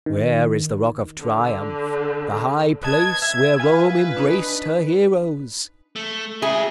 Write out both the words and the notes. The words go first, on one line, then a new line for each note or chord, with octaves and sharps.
Where is the rock of Triumph, the high place Where Rome embraced her heroes?
D#3
D3
B4 D#5 A5 G#6
E5
F4 B4 G#5
D4 D#4 B5
A3
E4 F#4 G#4 E5